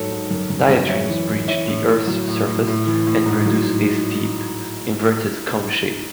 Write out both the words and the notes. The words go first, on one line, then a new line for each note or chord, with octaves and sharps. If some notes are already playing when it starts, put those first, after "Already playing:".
Diatremes breach the Earth's surface and produce a steep inverted cone shape.
Already playing: G#2 F#3 A4 C#5
G#2
F#2
F#2
F#2
F#2 C#5 E5
E3
E3
E3 C#5 E5
A2
A2
F#3
A2
A2
A2
E3
A2
G#2
F#3